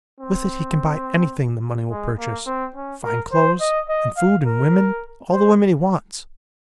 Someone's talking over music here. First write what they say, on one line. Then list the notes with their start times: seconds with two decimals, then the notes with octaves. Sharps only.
With it he can buy anything that money will purchase, fine clothes and food and women, all the women he wants.
0.20 C4
1.90 G#3
2.18 A#3
2.46 C4
2.76 C#4
3.04 A#4
3.32 C5
3.60 D#5
3.89 D#5
4.17 F5
4.45 A#4
5.31 C5